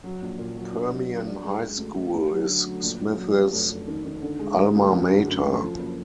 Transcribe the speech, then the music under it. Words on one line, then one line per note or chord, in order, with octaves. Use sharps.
Permian High School is Smith's Alma Mater.
F#3
A#1
A#2
F#3
D4
F#3
F#3
D4
G#3
G#3
D2
D2
D2
F#3
D3
F#3
A#1
A#1
F#3
F#3
F1
F1
D#3
D#3
D3
G#3
G#3
D2
F#2
D3
F#2
F#2
F3
F#1